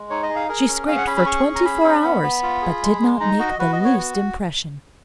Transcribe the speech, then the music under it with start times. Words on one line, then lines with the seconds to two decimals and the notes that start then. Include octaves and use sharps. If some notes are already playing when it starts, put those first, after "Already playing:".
She scraped for twenty-four hours, but did not make the least impression.
Already playing: G#3
0.10 D#4 C#5
0.23 D#5
0.29 G#4
0.36 F5
0.49 G#4 A#4
0.68 C#4
0.87 G#4 F5
0.97 F#5
1.07 C#4 B5
1.17 B5
1.26 G#4 C#6
1.45 C#4
1.55 A#5
1.65 G#4 B5
1.84 C#4
2.04 B3
2.23 B3
2.43 F4
2.62 G#4
2.82 G#3
3.01 G#3
3.20 D#4 A#5
3.39 F#4 D#5
3.59 F#4 B4
3.73 D#5
3.79 B3
3.85 C#5
3.98 F#4